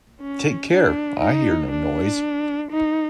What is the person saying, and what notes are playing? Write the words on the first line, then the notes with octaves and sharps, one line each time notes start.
Take care I hear no noise.
C#4
D4
D#4
D4
D#4